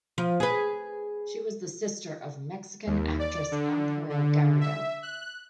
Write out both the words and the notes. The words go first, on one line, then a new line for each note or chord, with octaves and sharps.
She was the sister of Mexican actress Amparo Garrido.
F3
G#4 B4
D#2
D5
D3
D3
E5
F#6